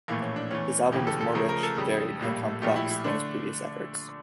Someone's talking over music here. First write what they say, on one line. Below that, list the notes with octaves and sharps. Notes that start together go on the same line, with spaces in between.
This album is more rich, varied, and complex than his previous efforts.
A#1 A2 E3 A3 A#3
C#4
D4
E2 E3 A3 C#4
E1 D2 C#3 E3 G4
A4
A4
C#2 C#3 F3 A3 A#4
A#4
A4
F2 C#3 G3
A#1 A2 G3 A#3
A#1 A#2 A3 G4
E4
E4
D3 A3 D4